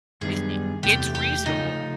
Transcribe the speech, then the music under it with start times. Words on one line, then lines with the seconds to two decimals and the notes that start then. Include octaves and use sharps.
It's i it's reasonable,
0.21 F#2 D#3 G3 B3 D4 G#4
0.83 E2 C3 E3 A3 G4
1.15 G4
1.46 C#3 F3 A3 C#4 D#4